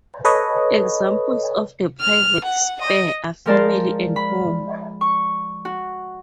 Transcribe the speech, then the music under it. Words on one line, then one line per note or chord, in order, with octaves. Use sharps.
Examples of the private sphere are family and home.
A4 B4 C#5 D#5
F6
F#5
D#5
F3 G#3 A#4 D5 A5 C6
B5
C#6
F#4